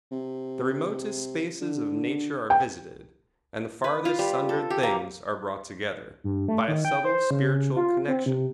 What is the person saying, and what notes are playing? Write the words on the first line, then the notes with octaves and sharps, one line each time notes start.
The remotest spaces of nature are visited, and the farthest sundered things are brought together, by a subtle spiritual connection.
C3
D3
G5
B4
F4
G3
A4
G4
A#3
G2
A3
D#3
G5
C5
C#3
F4
C4
C3